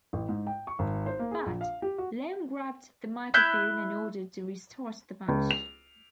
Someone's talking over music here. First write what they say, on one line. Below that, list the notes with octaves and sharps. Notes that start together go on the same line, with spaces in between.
But, Long grabbed the microphone and ordered to restart the match.
A1
G#2
G5
C#6
G#1
C5
A#3
G#4
A#1
F5
G4
F#4
E4 E5 F#6 G6
C#2
F7